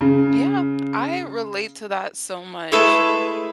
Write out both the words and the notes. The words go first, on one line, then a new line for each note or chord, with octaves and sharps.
Yeah, I relate to that so much.
C#3
G#3 A3 E4 G#4 A4 B4